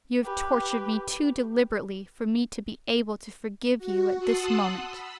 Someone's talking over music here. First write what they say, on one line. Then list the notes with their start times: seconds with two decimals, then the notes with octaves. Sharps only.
You have tortured me too deliberately for me to be able to forgive you at this moment.
0.24 G4 B4
3.78 F#4
4.19 F#5 A5 C6 D#6 E6 F#6
4.87 B5 E6